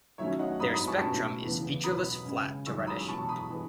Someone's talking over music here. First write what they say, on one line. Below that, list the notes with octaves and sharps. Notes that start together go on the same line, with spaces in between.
Their spectrum is featureless flat to reddish.
F#2 D#3 F#3 A3 C#4 C#5 E5
D#5 F#5
G#2 F#3 B3 B5 D#6
B5 D#6
A5 C#6
B2 A3 C#4
E2 C#3 E3 B3
B2 F#3 B3 B5 D#6
C#3 G#3 C#4
F#2 D#3 G#3 C#6 E6
E6
B5 D#6
E2 B2 F#3 A5 C#6
B5 D#6
E3 G#3 B3